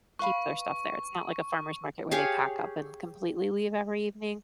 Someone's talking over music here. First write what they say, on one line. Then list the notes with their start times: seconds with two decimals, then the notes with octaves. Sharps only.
keep their stuff there. It's not like a farmer's market where they pack up and completely leave every evening,
0.19 B4 F5 B5 C#6
2.11 G4 G#4 C#5 F5